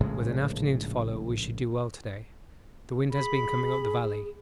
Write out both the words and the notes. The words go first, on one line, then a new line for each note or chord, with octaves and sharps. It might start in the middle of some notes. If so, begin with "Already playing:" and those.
With an afternoon to follow we should do well to-day; the wind has been coming up the valley.
A#1 A2 C#3 G#3
G#4 B5